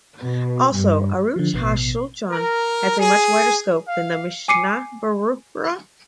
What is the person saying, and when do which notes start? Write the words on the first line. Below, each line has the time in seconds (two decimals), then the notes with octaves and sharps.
Also, "Aruch HaShulchan" has a much wider scope than the "Mishnah Berurah".
0.22 B2
0.74 G2
1.36 D3 F3
1.54 A1 B2 B3 C7
2.30 A#4
2.99 G#4
3.88 F5
4.48 G#5 D6 C7 C#7 D#7